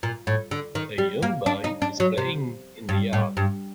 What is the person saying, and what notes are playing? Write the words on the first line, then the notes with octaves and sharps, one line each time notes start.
A young boy is playing in the yard.
A#2
A2
D3
D#3
G3
A#3
D4
D#4
D4
F#3
C3
G2
A2
G2